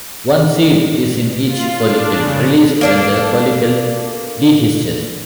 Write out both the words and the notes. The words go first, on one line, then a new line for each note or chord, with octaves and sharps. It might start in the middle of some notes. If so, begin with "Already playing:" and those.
One seed is in each follicle, released when the follicle dehisces.
F4
D4
C#3
A#3 D4 A4